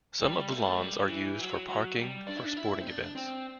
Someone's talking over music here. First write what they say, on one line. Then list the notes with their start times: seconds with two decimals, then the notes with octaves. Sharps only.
Some of the lawns are used for parking for sporting events.
0.21 G3
0.49 A3
0.79 G3
1.08 E3
1.39 F#3
1.69 F#3
1.98 G3
2.27 D4
2.37 E4
2.44 D4
2.57 E4
2.81 C4
2.87 D4
3.16 C4